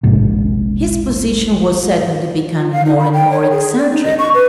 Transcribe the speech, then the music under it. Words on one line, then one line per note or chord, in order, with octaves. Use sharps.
His position was certainly becoming more and more eccentric.
E1 A#1 G#2 C3
F4
F5
D#4
B5
G5
C#5
G#4
D5
D#4
D#5
C#6
B4